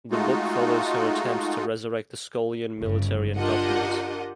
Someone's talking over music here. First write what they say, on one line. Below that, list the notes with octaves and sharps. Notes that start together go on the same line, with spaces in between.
The book follows her attempts to resurrect the Skolian military and government.
G#3 A3 D#4 F4 F#4
G1 C#3
D4 F4 G4 A#4 D#5 F#5